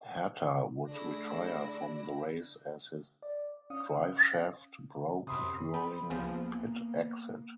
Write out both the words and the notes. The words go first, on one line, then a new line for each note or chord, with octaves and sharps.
Herta would retire from the race as his driveshaft broke during pit exit.
A3 D4 E4 G#4 A#6
D5
C#4 F5 D#6
F#2 C3 B5 C6 D#6
B3 C4 B4
C#2 F3 A#3 B3 D4 E4 G#4